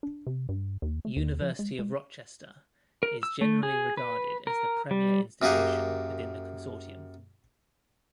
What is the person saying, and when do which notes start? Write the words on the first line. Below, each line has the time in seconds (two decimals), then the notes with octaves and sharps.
University of Rochester is generally regarded as the premier institution within the consortium.
0.03 D4
0.27 C3
0.49 G2
0.82 D#2
1.05 A3
1.17 D#2
1.42 F3
1.59 G#3
1.79 G#3
3.03 A#4
3.23 E6
3.41 A3
3.63 G#4
3.97 B4
4.47 A#4
4.91 G3
5.42 F#2 A#3 G4 G#4 F#5